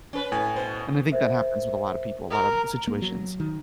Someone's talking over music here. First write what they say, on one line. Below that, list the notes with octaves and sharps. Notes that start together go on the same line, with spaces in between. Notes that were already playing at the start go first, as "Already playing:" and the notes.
And I think that happens with a lot of people, a lot of situations.
C#4 B4
A2 G#5
B2 B4 C5
A#4 C5 E5
A#4
A#3
F#3
D#3